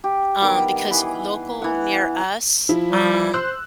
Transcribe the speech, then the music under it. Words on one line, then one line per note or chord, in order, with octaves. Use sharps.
um, because local near us, um,
G4
D#3 G3 B3 D6
E3 G#4 B4
E3 F#5
F3 E4
G3
C5 C6 E6 F#6